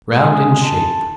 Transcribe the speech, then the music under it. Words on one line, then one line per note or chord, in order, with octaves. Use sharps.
Round in shape.
G#3
A5